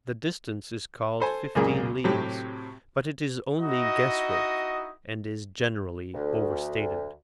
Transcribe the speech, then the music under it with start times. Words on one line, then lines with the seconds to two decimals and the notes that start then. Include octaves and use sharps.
The distance is called fifteen leagues; but it is only guess-work, and is generally overstated.
1.20 A4 C5 G#5
1.55 C#2 F#2 A#2 A#3 G#4
2.04 A2 C3 F#3 C4 G4
3.59 D#4 E4 F#4 D#5
6.13 D2